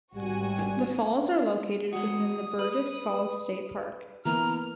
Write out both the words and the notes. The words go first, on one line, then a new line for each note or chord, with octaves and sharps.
The falls are located within the Burgess Falls State Park.
G#1 G3 F#4 G#5
G#3 F#4 D#6
B4
E3 A#3 B3 A#5 F6